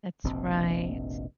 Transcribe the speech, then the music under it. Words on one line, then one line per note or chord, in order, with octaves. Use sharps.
That's right.
F1 A#1 B2 C4